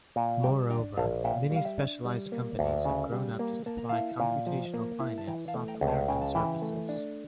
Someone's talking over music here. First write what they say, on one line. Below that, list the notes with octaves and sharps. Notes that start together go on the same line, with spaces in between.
Moreover, many specialized companies have grown up to supply computational finance software and services.
A#2
G3 G5 A#5
A5
D4 G5 A#5
A#1 F5 A5
A#2 E5 G5
G3
F5
E5 G5
D4
G3
A#3
D2
C#3
G3
A#3
A#3 A5
A#5
E4 F5 A5
A#2
F3
A#3
E4
A5
E3 G5 A#5
F5 A5
A3
G5 A#5
C#2
F5 A5
C#3 G5
A5
E3 E5 G5
A3
D4